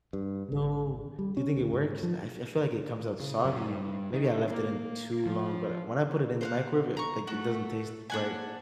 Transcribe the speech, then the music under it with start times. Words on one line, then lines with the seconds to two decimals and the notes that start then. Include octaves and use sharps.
No, do you think it works, I f I feel like it comes out soggy, maybe I left it in too long, but when I put it in the microwave, like, it doesn't taste right.
0.13 G2
0.52 G#1
1.19 G3
1.37 C#4
1.56 D2
1.73 G#2
2.03 F3
3.20 C#3
3.44 F#2
3.68 G2
4.13 D#3
4.51 A#3
5.26 F3
6.41 C5 F5 F#5
6.97 A#5 C#6
7.27 A3 F#4 A4 F#5
8.10 A#2 D4 F#5 G#5